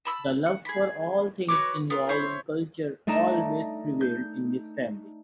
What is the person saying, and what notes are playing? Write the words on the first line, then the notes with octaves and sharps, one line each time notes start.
The love for all things involving culture always prevailed in his family.
A5 B5 E6
F#5
G#4 B5
F#4 B4 C#5 D6
B3 F4 A#4
E4 C5 C#5
A3 D4 D#4 A#5 E7
G6